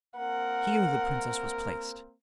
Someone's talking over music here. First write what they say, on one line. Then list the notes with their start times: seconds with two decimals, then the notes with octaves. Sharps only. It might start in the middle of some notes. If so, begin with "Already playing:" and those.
Here the princess was placed.
0.17 A#3 C4 A#4 F#5